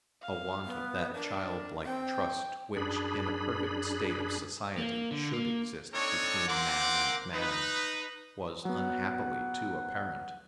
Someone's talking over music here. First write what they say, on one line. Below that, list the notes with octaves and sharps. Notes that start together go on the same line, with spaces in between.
A want of that childlike trust which, in a perfect state of society should exist between man and man, was unhappily too apparent.
F5
B3
D4 A#4
C4 G5
F#2 D4 G#4 B5
A#3
D3
A#3
C4 D4 D#4 A4 C#5
A#3 C4 A#4 F#5 C6 D6
D#4 B4
F#3 B3 F#5